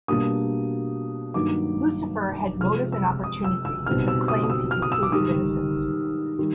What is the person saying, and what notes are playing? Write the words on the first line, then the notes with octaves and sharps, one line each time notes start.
Lucifer had motive and opportunity, but claims he can prove his innocence.
B2 G3 A#3 D4 D#6
G2 D#3 F#3 A#3 D#4 D6
C3 F3 G#3 F6
E6
D#6
E6
E6
B2 G3 C4 D#4 F6
E6
D#6
D#6
E6
F6
D#6
E6
D6
G#2 D#3 G3 D#6
D#3 G3